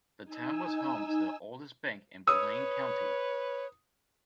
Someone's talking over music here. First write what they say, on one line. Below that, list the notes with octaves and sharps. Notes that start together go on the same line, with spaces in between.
The town was home to the oldest bank in Blaine County.
D#4 G#5 E6
B4 C#5 D#6 E6